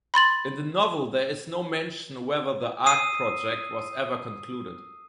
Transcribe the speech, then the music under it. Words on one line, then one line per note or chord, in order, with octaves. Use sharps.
In the novel there is no mention whether the "Ark Project" was ever concluded.
B5 C6 A6 F#7
D#6 E6 C7 D#7